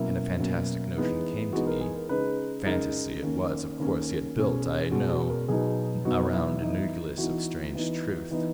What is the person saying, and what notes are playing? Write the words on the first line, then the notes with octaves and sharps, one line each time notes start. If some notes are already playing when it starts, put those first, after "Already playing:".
And a fantastic notion came to me--fantasy it was, of course, yet built I know around a nucleus of strange truth.
Already playing: B2 F#3 A#3 C#4 E4
B2 F#3 A#3 C#4
E3 G#3 B3 D#4
E3 G#3 B3 D#4 F#4
A#4
G#4
A#4
C#3 G#3 D#4 B4
C#3 G#3 D#4 A#4
D#3 A#3 C#4
D#3 A#3 C#4
B2 G#3 C#4
B2 G#3 C#4 F#4
F#4
A#4
B2 F#3 B3 D#4 G#4
B2 F#3 B3 D#4 F#4
E4
E3 B3 D#4
E3 B3 D#4 F#4
E3 B3 D#4
E3 B3 D#4